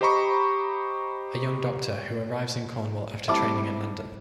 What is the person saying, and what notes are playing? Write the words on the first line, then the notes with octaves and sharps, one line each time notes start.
A young doctor who arrives in Cornwall after training in London.
G4 C5 D#5 A#5 B5 C#6
A2 C3 G3 E5 A5 D6